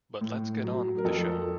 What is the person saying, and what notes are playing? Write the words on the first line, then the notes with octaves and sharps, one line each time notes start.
But let's get on with the show.
A2
F#3
A#4
F2 A4